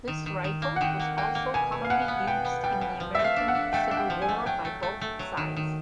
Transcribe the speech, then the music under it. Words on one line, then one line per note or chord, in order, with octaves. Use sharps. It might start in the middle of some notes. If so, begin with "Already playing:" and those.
This rifle was also commonly used in the American Civil War by both sides.
D#3
D#3
D#3
A#3
F#5
D#3 G5
A#3
A#3 G5
A#3
B2 G#5
B2
F5
B2 F#5
B3
B2 G5
B3
G3 G5
B2
F3
A3 E5
F5
D4
F#5
D4
A3 G5
D4
G5
F3
G#5
A3
F#3 G5
A3
A3
A3
F#3
D#3
D#3